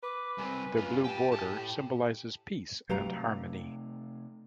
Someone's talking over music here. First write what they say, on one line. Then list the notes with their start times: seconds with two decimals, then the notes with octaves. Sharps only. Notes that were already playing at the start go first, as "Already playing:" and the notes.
The blue border symbolizes peace and harmony.
0.03 B4 D6
0.38 C2 C4 G#5
0.77 F#2 F4
1.04 G4 G5 A5
1.31 A2 A5
2.90 C3 F#3 A3 G4 B4 F5 A#5